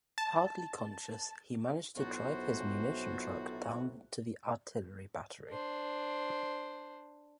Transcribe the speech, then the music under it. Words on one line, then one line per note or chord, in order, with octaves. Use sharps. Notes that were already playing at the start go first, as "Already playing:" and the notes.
Hardly conscious he managed to drive his munition truck down to the artillery battery.
A5
B1 A2 C3 F4 F#4 C5
D4 C5